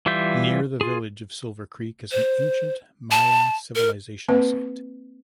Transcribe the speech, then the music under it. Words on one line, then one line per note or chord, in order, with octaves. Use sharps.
Near the village of Silver Creek is an ancient Maya civilization site.
E3 G3 F4 E5 G6
F4 G#4
C5
A5
A#4
A#3 C4 B4